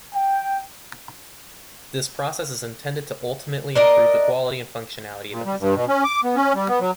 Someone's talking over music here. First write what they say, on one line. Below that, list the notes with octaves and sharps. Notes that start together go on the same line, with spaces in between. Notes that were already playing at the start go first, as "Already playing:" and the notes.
This process is intended to ultimately improve the quality and functionality of a design.
G5
D4 A#4 D#5
A#2
G3
G2
B2
C#4
D6
B3
C#4
G3
B3
F#3